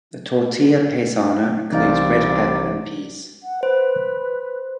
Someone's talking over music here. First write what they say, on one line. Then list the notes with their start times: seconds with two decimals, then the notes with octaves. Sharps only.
The "tortilla paisana" includes red pepper and peas.
1.72 C2 E3 D#4 D5 F5
3.43 F#5
3.63 B4 C5